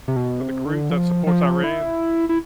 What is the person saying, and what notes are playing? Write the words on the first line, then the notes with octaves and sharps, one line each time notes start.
uh, the group that supports Iran?
C3
B2
C3
D3
F3
F3
E4
E4